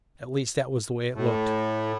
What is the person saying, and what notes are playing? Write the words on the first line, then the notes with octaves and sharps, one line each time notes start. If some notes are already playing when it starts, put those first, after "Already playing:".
At least that was the way it looked.
A2